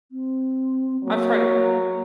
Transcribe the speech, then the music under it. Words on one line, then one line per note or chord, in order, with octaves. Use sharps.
I've heard of it.
C4
F#3 A#3